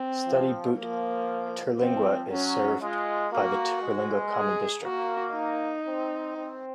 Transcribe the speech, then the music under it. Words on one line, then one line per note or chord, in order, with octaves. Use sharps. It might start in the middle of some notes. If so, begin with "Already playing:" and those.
Study Butte-Terlingua is served by the Terlingua Common School District.
Already playing: C4
F3
F3 A#3
F3 C4
F#3 C#4
G#3 F4
A#3 F#4
G#3
G#4
A#3 F#4
D#4
C4
C4